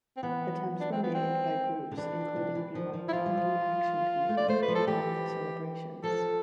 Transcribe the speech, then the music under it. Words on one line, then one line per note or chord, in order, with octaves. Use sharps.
Attempts were made by groups including the Waitangi Action Committee to halt the celebrations.
C4
E3 B3
D4
C4
B3
C4
D3
E3 D4
C3
E3
F3
F3
E4
F3 F4
G3
F3
A3
D5
A3 C5
B4
F3
A4
E3 G4
F3 A4